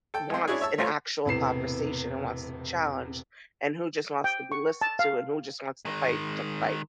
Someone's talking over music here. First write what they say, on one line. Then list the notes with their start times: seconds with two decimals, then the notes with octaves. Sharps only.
wants an actual conversation and wants to be challenged, and who just wants to be listened to and who just wants to fight to fight.
0.14 A4 G5
0.30 G#3 C4
0.48 C#4 D4 E4 F#4 G#4
0.61 C#5 E5 A5 E6
0.78 A3 F4 C5 C#5
1.25 E1 A2 C3 B3 C7 E7
4.24 G5
4.52 C#6
4.81 A5
4.99 F5
5.85 D#3 G#3